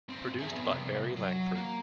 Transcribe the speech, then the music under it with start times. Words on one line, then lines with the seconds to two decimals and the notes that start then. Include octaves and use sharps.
Produced by Barry Langford.
0.09 G2 C4
0.39 G#4 E5
0.51 F2 B3
0.70 C2
1.16 F#3
1.56 A#3